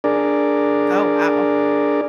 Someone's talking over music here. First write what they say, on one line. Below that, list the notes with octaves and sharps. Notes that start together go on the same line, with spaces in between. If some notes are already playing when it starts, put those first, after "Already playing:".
Oh, wow.
D4 G#4 A#4 D5